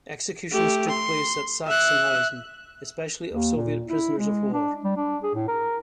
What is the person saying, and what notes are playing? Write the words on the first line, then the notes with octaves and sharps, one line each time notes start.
Executions took place at Sachsenhausen, especially of Soviet prisoners of war.
A3 G4
C6
E5 F#6
D#2
A#2
E4
G#3
D4
G3
D4
G#4
A2
A#4